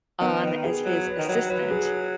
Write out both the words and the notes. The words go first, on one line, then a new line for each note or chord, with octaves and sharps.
on as his assistant
D#3 B3
D#3
G#4
F#3
B4
D#3
F#3
F#3 B4
G#4